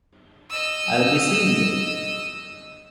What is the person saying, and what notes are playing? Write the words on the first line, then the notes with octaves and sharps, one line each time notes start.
I'll be seeing you.
D#5 E6